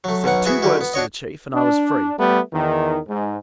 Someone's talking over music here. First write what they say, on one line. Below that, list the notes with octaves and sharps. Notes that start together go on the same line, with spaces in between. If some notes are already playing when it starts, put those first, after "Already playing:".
"He said two words to the chief and I was free."
F#3 A3
B1 B2 F#3 F#5
B3 E4 F#4 G#4 E5
D3 G3 E4 F#4
B3
D4 F#4 C#5 D#5
D4
G3 A3 B3
E2 D#3
G#2